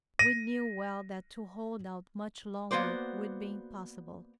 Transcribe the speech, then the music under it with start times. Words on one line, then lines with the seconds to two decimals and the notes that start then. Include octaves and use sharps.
We knew well that to hold out much longer would be impossible.
0.19 A#6 D#7
2.71 A#3 B3 F#4 C5 D5